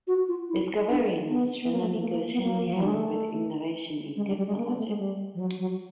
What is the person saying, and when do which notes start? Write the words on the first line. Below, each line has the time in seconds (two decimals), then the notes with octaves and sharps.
Discovery in astronomy goes hand in hand with innovation in technology.
0.07 F#4
0.28 F4
0.49 E4
0.90 D4
1.30 B3
1.62 B3
1.72 A#3
1.82 A3
1.92 A3
2.02 A#3
2.12 A#3
2.33 B3
2.43 A#3
2.66 F3
2.73 F#3
2.80 G3
2.87 G#3
2.94 A3
4.16 G#3
4.27 G3
4.38 G3
4.47 G#3
4.57 A#3
4.68 B3
4.79 A3
4.88 G#3
4.99 G3
5.35 F3
5.39 F#3
5.59 F#3